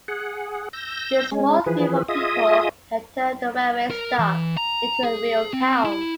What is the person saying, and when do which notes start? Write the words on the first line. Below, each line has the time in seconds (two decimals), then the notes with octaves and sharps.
This small group of people had turned the railway stop into a real town.
0.08 G#4 F#5
0.73 E6 G6 A#6
1.32 G#3 C#4
1.66 E3 F3 G#4 B4
2.08 F4 G#4 D#5 E5 D#6
3.90 A#4
4.19 E3
4.57 A#5
5.03 G#4
5.53 C4
5.84 E4